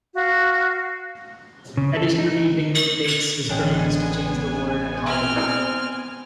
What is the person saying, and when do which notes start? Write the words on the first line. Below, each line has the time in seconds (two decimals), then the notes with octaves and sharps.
Additionally, Dingle takes his brilliance to change the world at Harvard.
0.15 F#4 F5
1.77 C#3
1.97 A4
2.18 D#4
3.49 A1 G#3 B3 C#4 D4 G5 G#5
5.06 C4 F6